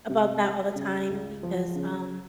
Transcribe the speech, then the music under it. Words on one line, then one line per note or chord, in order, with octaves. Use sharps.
about that all the time because, um,
C3
G3
C#3
C#2
F3
C#3